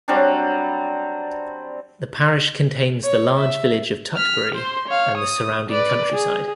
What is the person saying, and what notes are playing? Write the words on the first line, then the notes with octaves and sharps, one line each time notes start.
The parish contains the large village of Tutbury and the surrounding countryside.
F#3 G3 C4 D4
C#5
E5
F6 B6
C5 C6
C#5 F5
D#6
B4 D5
G#4